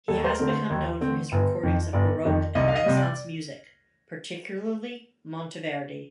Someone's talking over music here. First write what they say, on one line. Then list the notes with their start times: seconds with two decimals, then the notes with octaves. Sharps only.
He has become known for his recordings of Baroque and Renaissance music, particularly Monteverdi.
0.08 D#2 A4
0.24 C5
0.29 A#4
0.39 D3 A3 C4
0.49 C5
0.70 D#2
1.01 D3 A3 C4
1.32 G1
1.63 F2 D#3
1.93 G1 D5
2.25 F2 D#3
2.55 C2 D#5
2.68 F5
2.76 D#5
2.86 C3 G3
2.97 D5